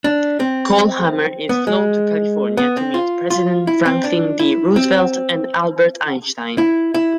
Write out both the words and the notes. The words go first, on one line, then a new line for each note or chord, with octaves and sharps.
Kolhammer is flown to California to meet President Franklin D. Roosevelt and Albert Einstein.
D4
C4
B3
G#3
B3
C4
F4
F4
E4
C4
D4
E4
C4
E4
E4